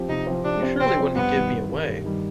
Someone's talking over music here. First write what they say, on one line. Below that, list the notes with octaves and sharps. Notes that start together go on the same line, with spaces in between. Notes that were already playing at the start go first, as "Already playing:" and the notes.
You surely wouldn't give me away?
Already playing: F3 C4 G4 C5
C3 D#4
F3 C4 G4 C5
C3 D4
F3 C4 G4 C5
C3 C4
F3 C4 G4 C5
G2 B3
D#3 G3
G2
D#3 G3
G2
D#3 G3